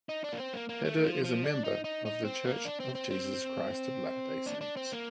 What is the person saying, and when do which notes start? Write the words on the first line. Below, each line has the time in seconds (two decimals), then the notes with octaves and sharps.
Heder is a member of The Church of Jesus Christ of Latter-day Saints.
0.09 D#4
0.24 D4
0.32 A#3
0.39 C4
0.53 A#3
0.69 A#3
0.85 A3
1.04 F3
1.24 F3
1.44 D4
1.64 D#4
1.84 D#4
2.05 D#4
2.25 C4
2.45 A#3
2.65 D4
2.80 C4
2.95 C4
3.11 C4
4.46 D4
4.61 D4
4.77 C4
4.92 A#3